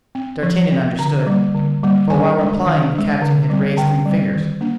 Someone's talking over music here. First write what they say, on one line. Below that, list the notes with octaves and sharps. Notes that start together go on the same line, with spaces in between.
D'Artagnan understood, for while replying the captain had raised three fingers.
C4
F3
C4
D3 A#5
G3 A#3
D3
G3 A#3
D#3 G#5
G#3 D4
D#3
G#3 D4
D3
G3 C4
D3 G5
G3 C4
D#3
A#3 D4